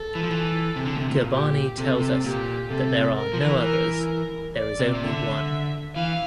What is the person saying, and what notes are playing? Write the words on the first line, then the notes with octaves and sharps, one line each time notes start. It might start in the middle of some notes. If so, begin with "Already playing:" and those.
Gurbani tells us that there are "no others", "there is only One".
Already playing: A4
E3
F3
E3
C3
D3
A#2
C3
A2
A#2
G4
C3 A4
C3
A#2 G4
C3 A4
A#4
F3
E3
A#4
A#4
D5
C3
C3
D3 E5
E3 F5